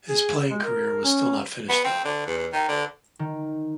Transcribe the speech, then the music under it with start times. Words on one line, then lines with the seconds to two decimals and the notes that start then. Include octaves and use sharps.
His playing career was still not finished though.
0.09 G#4
0.50 G#3
0.64 A#4
1.04 C#4
1.69 B3
1.85 C4
2.05 D3
2.27 E2
2.53 D#3
2.68 D3
3.19 D#3